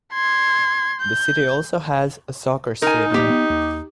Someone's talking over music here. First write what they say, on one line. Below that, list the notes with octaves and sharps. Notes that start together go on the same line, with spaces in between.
The city also has a soccer stadium.
C6 G#6
G6
D#4 A#4 G#5
A#2 A#3 G4
B3
D#2